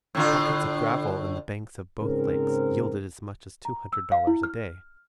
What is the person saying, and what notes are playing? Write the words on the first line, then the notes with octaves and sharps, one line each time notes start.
Pockets of gravel in the banks of both lakes yielded as much as two hundred dollars a day.
A2 D3 F4
G#2 C#3 C4 A#4
A#5
E6
F5
E4
F6